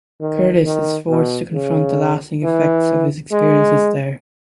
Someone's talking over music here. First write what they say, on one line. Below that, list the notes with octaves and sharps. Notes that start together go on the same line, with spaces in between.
Curtis is forced to confront the lasting effects of his experiences there.
D#3
D#3
B2
C#3
E3
G#3